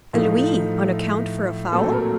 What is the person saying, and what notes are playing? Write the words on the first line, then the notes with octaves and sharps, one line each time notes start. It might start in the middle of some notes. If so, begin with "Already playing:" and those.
"A louis on account for a fowl?"
A2 F3 A3 D#4 F4
A#2 F#3 A3 C4 A4
A#4